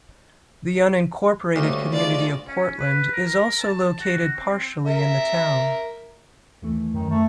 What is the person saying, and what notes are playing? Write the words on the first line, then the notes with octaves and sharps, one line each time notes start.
The unincorporated community of Portland is also located partially in the town.
D2 G3 A#3 C#4
G#3 D4 F4 D5
C#4
B4
A#4
A5
F#4
C4
A#4 E5
D#2 E3 A3
F#2 D#3
A3